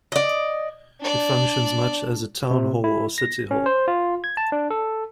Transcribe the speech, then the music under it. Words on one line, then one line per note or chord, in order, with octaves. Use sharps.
It functions much as a town hall or city hall.
D5 D#5
D4 D5
C3
E4
A#6
C#4
C5
F4
G#6
A5
D4
A4